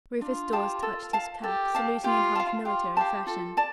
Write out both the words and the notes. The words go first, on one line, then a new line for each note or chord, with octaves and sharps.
Rufus Dawes touched his cap, saluting in half military fashion.
D4 F4
G4 F5 A5
A4
F5 A5
G4 A4
F5 A5
F4 G4
F5 A5
F4 G4
G4 F5 A5
F4 A4
D5 A5